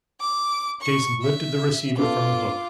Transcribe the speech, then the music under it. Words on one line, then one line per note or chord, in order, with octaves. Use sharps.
Jason lifted the receiver from the hook.
D6
C#6
E5
B3 D4 F4 A4 D6